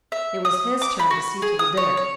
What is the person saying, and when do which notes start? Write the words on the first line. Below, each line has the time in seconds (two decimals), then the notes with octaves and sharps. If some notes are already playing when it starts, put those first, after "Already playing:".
It was his turn to see to the dinner.
0.12 E5
0.45 D#6
0.82 D6
0.99 B5
1.10 F#4
1.42 G#4
1.59 D#6
1.77 C#5
1.97 C#5